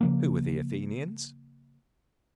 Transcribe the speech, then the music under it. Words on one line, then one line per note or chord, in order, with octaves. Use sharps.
Who were the Athenians?
C#3 F3 A#3